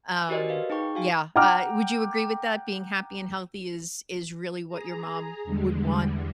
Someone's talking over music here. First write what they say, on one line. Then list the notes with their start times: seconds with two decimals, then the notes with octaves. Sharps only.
Um, yeah, uh, would you agree with that, being happy and healthy is is really what your mom would want
0.11 G#5
0.29 F#4 G4 A#4 C5 D5 D#5
0.49 B4 F5
0.70 D#4 G#4 G5 C#6
0.95 F#4 F5 G#5
1.36 F#5 G5 A#5 D6 F6
4.69 G#4 A#5
5.44 E2 D3 G3 G#3